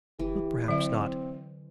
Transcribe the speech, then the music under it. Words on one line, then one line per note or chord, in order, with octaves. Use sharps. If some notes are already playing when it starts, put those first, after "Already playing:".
But perhaps not.
F#1 E3 G4
D3 F#3 C4 E5